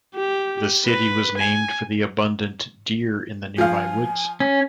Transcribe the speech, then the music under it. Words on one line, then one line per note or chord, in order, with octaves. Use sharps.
The city was named for the abundant deer in the nearby woods.
G4
B4
G#5
F3 F5 G#5
C#4